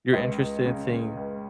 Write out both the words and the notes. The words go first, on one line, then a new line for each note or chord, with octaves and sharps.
you're interested in seeing
C#2 D#5
C#2
C#3
C#3
C#2